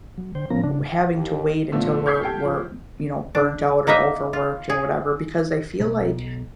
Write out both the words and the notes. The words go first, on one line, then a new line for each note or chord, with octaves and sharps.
u having to wait until we're we're, you know, burnt out or overworked or whatever. Because I feel like
F#3
D3 C5 G5
A2 F3 B3 C#4 A#4 A#5
C#3 D4
D#2
A#2 D3 F3 A3 B3
C#6 F6 G6 G#6 B6 C7
G4 A4 G5
F3
D4
A#3 D#4 B4 D#5 E5
F4
G#4
B1